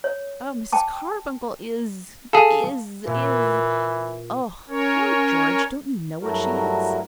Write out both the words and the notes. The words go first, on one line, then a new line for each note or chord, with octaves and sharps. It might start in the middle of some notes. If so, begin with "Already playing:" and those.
"Mrs. Carbuncle is--is--is-- Oh, Lord George, don't you know what she is?"
C#5
G5 A5 D6
G#4 A4 F5 A5
A#2 E3
C#4 A#4 C#5
G2 F#3 A3 E4 F#4 A#4